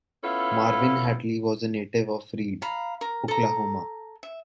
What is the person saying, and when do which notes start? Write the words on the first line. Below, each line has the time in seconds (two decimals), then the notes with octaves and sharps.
Marvin Hatley was a native of Reed, Oklahoma.
0.24 B3 C#4 E4 F4 A4
2.62 F5 A#5 B5
3.01 A#4
3.28 A4 A#5
4.23 E5